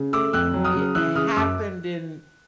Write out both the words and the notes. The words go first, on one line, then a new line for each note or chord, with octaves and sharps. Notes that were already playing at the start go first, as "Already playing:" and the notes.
yeah, it happened in
Already playing: C#3
A3 D6 E6
F2 E6 F#6
F#3
D#6 F6
C#3
E3 E6 F#6
C#3 D#6 F6
F#2 D6 E6